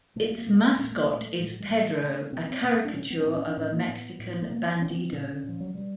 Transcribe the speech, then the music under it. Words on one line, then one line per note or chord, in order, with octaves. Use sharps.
Its mascot is Pedro, a caricature of a Mexican bandido.
B2 A3
A#3
A3
A#3
B2 A3
A#3
A3
A#3
A#2 A3
A#3
A3
A#3
A3
A#2 A#3
A3
A2 G#3
F#3
G#3
A2 A3
B2
B2 C4
B3
C4
B2 C4
C4
D4
B2 C#4
B3
C#4
A2 C4
C#4
D4
A2 C#4
A#3
A2 B3
A2
A3
B2 A#3
B3
B2 C#4
B3
C4
A#2 C#4
C#4
A#2
F3
F#3
B2 G3